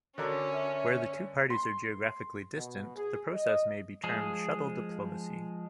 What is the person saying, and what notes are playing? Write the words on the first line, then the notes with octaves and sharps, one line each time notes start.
Where the two parties are geographically distant, the process may be termed shuttle diplomacy.
D3 C#4 D4 F#4 A#4
E5
C6
B2
G#4
D#5
F3 G#3 G#4